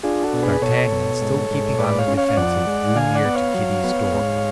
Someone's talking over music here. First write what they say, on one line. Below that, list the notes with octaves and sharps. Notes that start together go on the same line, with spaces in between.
But d'Artagnan, still keeping on the defensive, drew near to Kitty's door.
D4 F4 G#4
F#4 A4
B2
G#4 B4
B2 A4 C#5
B2
G#2
G#2
G#2 B4 D5
C#5 F5
C#4
C#5 F5
F5
F2 D5 F#5
G#3
D3 F5 G#5
D5 F#5
B3
C#5 F5
F#3
B3
G#2